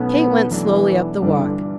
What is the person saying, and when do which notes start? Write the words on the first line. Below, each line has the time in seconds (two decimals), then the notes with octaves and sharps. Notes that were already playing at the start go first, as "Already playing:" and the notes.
Kate went slowly up the walk.
Already playing: B1 B2 A3 B3 C#4
0.51 B2 E3 F#3 A3 D4 A4
1.22 G1 G2 D3 E3 G3 D4